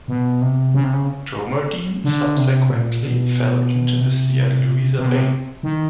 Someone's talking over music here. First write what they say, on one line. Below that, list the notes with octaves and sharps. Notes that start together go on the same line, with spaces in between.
Droemerdene subsequently fell into the sea at Louisa Bay.
B2
C3
C#3
C3
C#3
D3
C3
A#2
B2
C3
C3
B2
C3
D#3